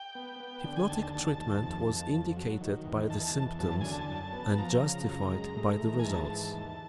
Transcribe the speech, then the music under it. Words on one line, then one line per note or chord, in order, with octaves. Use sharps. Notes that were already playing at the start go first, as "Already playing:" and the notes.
The hypnotic treatment was indicated by the symptoms and justified by the results.
Already playing: G5
B3
B3
D3 G5
G#5
D#2 A5
A5
D#2 A5
D#2
F2
F2
F2
F#3
D#3
E2
E2 A5
A5
E2
F#2 A5
D3 G#5
A5
F#2
B3
F3 A#5
C#3
F#2
G#3
A3
E3
G#5
G#2 A5
E3
D#2